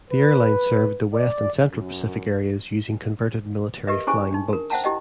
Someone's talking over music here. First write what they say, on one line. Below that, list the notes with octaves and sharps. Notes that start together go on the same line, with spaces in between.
The airline served the west and central Pacific areas using converted military flying boats.
B4
D5
F#2
G4 A#4 B4 D#5 E5
C#4 E4 G#4 C5 G#5 C#6
D4 D#4
A#4
C5 E5 F#5 G5 A5 A#5
E4 G4 D#5 G5